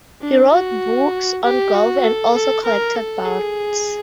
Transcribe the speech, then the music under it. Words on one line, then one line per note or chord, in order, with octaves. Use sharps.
He wrote books on golf and also collected ballads.
D4
F#4
G4
F#4
A4
A4
A#4
A4
G#4